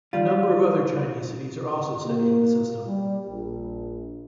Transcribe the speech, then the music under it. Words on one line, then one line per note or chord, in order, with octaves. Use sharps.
A number of other Chinese cities are also studying the system.
G3 F4
A#3
G3
A#1